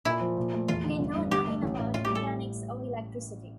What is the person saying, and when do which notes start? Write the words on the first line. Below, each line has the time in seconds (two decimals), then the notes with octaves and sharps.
He knew nothing about mechanics or electricity.
0.05 A#2 E4
0.21 F3
0.37 A#2
0.53 A3
0.68 E2 F4
0.85 D3
1.00 G1
1.16 G2
1.31 D3 G4
1.47 A3
1.63 A1
1.79 A2
1.94 A2 F4
2.05 G4
2.10 G3
2.15 A4